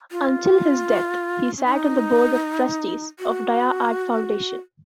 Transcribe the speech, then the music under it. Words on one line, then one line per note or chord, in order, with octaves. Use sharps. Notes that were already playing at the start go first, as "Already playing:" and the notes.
Until his death, he sat on the Board of Trustees of Dia Art Foundation.
F4
C#4
D#4
F#4